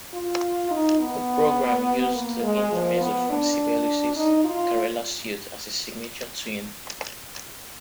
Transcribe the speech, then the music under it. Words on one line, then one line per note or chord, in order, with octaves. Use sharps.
The programme used the Intermezzo from Sibelius's "Karelia Suite" as a signature tune.
F4
D#4
B3
A#3
G#3
F3
B3
D4
D#4
F4